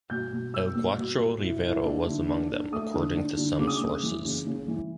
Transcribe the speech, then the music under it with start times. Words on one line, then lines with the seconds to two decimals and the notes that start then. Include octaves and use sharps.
El Gaucho Rivero was among them, according to some sources.
0.10 B2 G6
0.33 B2
0.54 G3 E6
0.75 B3
0.98 B2
1.19 B2
1.41 E4
1.64 E4
1.85 D4
2.07 D3
2.29 D4
2.50 D4
2.72 A3 D#6
2.94 D3
3.16 D4
3.37 D3
3.59 C#3 D6
3.67 D#6
3.74 D6
3.81 C#3
4.03 E3
4.25 C#3
4.47 C#3
4.68 E3